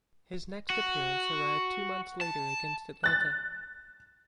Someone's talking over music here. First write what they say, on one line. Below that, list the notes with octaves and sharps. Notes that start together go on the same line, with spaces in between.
His next appearance arrived two months later against Atlanta.
F#4
A5
F#6 A6